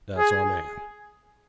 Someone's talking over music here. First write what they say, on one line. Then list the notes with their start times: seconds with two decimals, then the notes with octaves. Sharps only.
That's our man.'
0.18 G#4